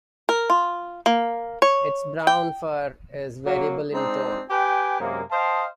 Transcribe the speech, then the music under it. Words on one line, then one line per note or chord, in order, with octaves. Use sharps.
Its brown fur is variable in tone.
A#4
F4
A#3
C#5
G5
F#3 A#3
G#3 C4 D4 D#4
G4 B4 G5 G#5
F#2 C3 G#3 A#3
C5 D#5 F5 G5 A5